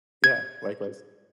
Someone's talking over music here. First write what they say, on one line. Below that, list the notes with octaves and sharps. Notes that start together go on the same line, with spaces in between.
Yeah, likewise.
G#6